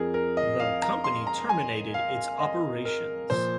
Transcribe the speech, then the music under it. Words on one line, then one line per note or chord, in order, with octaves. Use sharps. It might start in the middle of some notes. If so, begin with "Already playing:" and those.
The company terminated its operations.
Already playing: F2 F3 G#4 A#4
A#4
D#5
F5
A#5
C6
A#5
G#5
F5
D#5
A#4
A#2 F3 C5